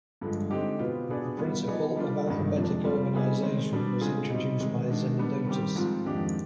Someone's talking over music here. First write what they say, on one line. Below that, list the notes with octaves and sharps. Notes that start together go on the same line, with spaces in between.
The principle of alphabetic organization was introduced by Zenodotus.
G2 D3 F3 G#3
D3 G#3 C4 D#4 G4
B2 B3 F4 B4
B2 B3 D4 G#4 D5
G3 B3 F4 B4
F3 B3 D#4 G#4 D5
G3 D4 F4
G2 D#3 G#3
F2 C3 F3 G#3 D4
G3 C4 F4
C3 G3 B3 D#4 G#4
D#3 G#3 C4
B2 G3 D4
D3 G#3 C4 F4 G#4
B2 G3 C4 D#4
C3 D#3 G#3
D#3 G#3 D4
G3 B3 D4
D#3 G3 C4 G4
G#2 F3 C4 F4
F2 D#3 G#3 D4 G4